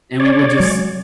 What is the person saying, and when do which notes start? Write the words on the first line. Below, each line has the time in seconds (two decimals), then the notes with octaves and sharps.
and we would just
0.20 C#5 D5
0.60 F#3 G#3